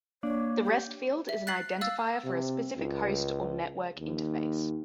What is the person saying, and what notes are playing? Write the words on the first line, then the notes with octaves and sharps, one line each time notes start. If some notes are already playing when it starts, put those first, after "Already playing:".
The rest field is an identifier for a specific host or network interface.
A#3 D4 C#5
G4
E5
F#6 A6 B6 C7 F#7
F5 E6 A6
C3
C#2
D#2